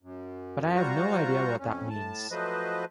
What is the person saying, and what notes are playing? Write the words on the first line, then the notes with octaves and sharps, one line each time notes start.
But I have no idea what that means.
F#2
G3 F4 F#4 C5 A#5 C#6
F2 C#4
A2 A5
F3 F#3 A3 B4 C5 D#5